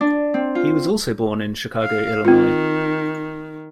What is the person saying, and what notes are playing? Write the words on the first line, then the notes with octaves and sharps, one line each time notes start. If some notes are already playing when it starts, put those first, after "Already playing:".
He was also born in Chicago, Illinois.
D4
C4
F4
F5
D#3 C4 F4